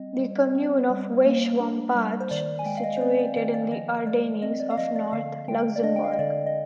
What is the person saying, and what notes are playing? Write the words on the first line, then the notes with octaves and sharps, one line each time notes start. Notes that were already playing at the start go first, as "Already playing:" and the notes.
The commune of Weiswampach is situated in the Ardennes of north Luxembourg.
Already playing: G3 C4 D#5
G3
C4
G3
A#3
D4
G3
C5
D#3 D5
G#5
G#3 G5
F5
D#5
C5
C4 D5
D5
D#3 D5
D5
F3 D#5
G#3 D5
C4 D#5
D5
F5
F3 D#5
D5
D3 F5
G#3 G5
D5
D4 D#5
G5
F5
D#5
D3 D5
D#5